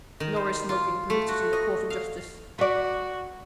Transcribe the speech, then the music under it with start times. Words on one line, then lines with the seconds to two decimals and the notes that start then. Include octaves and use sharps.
"Nor is smoking permitted in a court of justice."
0.20 D#3
0.36 C5
0.69 F4
1.10 A3
1.28 F#4
1.53 D#5
1.90 F5
2.59 F#4 B4 D5